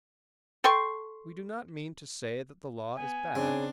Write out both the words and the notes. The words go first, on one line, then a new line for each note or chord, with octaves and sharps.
We do not mean to say that the Law is bad.
A4 G5 C6 C#6
B3 G#5
C#3 C4 D4